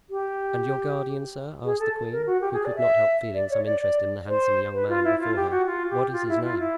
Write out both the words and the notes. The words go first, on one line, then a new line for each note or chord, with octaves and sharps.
"And your guardian, sir," asked the queen, who could not help feeling some interest in the handsome young man before her, "what is his name?"
G4
G#4
A4
A#4
F#4
G4
G#4
D5
E5
D5
C#5
D5
D5
C5
B4
F4
E4
F4
G4
F#4
F4
G4
F4
E4
F4
E4